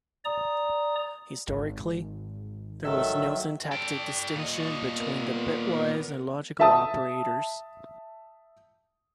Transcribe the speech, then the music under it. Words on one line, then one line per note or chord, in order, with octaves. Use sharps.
Historically, there was no syntactic distinction between the bitwise and logical operators.
D5 A#5 D#6
G#1
D#3 F#3 A4 E5
A4 D5 G5
A#2 D#5 C#6
B3 A#4
E5 A5 D#6